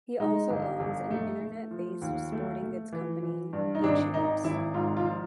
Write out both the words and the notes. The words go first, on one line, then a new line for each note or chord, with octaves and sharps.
He also owns an internet-based sporting goods company, E Champs.
G#3 D#4
G1
G1
A3
A3
F3
D#2
A3
A3
E3
E3
G2
D#4
G#1 D4
D#3 D#4
G#1 E4
G#2 F4
F4
F3